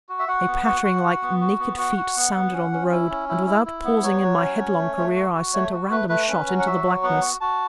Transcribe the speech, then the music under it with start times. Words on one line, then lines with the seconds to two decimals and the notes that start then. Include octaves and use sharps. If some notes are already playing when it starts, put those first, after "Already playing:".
A pattering like naked feet sounded on the road, and, without pausing in my headlong career, I sent a random shot into the blackness.
0.09 F#4
0.19 E5
0.28 F#4 F#5
0.47 B3
0.66 F#4
0.84 F#4
1.04 F#4
1.22 B3
1.41 F#4
1.60 B3
1.78 F#4 F#5
1.97 F#4
2.16 B3
2.34 B3
2.53 C#4
2.72 C#4
2.91 E4
3.10 C#4
3.29 E4
3.46 E4
3.66 E4
3.84 B3
4.03 F#3 C#5
4.22 F#3
4.41 C#4
4.59 C#4
4.78 A3
4.97 A3
5.16 F#4
5.34 F#4
5.54 A3 C#5
5.73 F#4
5.90 A3 B4
6.09 A3 B4
6.28 C#4 B4
6.47 F#3
6.59 F#5
6.66 F#4 E5
6.84 F#3
7.03 B3 F#5
7.22 F#4
7.41 F#4 A5